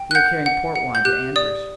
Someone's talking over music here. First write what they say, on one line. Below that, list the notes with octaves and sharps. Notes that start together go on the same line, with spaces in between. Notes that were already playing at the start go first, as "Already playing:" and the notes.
"We are carrying port wine to Anvers."
Already playing: G5
F#6
F#5 G6
F#5
F#5
G6
G4 F#6
D5 D#6